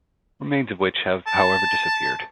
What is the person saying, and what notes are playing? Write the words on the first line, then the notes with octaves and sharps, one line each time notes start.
Remains of which have, however, disappeared.
A5